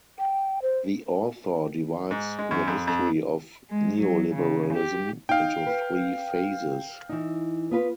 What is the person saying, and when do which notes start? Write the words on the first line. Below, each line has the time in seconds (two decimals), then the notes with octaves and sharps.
The author divides the history of neoliberalism into three phases.
0.19 G5
0.62 C5
2.11 G#2
2.39 G#3
2.51 F#2
2.68 F2
2.87 F2
3.71 G#3
4.00 F#3
4.33 C#3
4.73 G4
5.29 D#4 F5 G5
5.66 B4
7.09 E3 D#4
7.71 B3 F4 B4